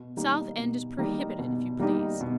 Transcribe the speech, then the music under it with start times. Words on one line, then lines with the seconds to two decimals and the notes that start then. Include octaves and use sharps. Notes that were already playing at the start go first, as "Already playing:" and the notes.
South End is prohibited, if you please.
Already playing: B2
0.17 G3 A#3 D#4 G4
0.58 B2
0.98 G3 A#3 D#4 G4
1.39 B2
1.79 G3 A#3 D#4 G4
2.21 B2